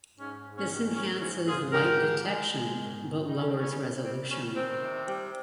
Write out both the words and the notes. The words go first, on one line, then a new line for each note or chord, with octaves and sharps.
This enhances light detection but lowers resolution.
G#2 C#4
G#2
C#4
D#3
G#2 C#4
G#2 C#4
G#2 F4 G#4
G#2 G4 A#4
G#3
G#3
G#3
G#2
D#3
G3 D#4
C#4
G3 C4
C#4
C3
G3 C4
G3 C#4
D#3 C4
C3
G3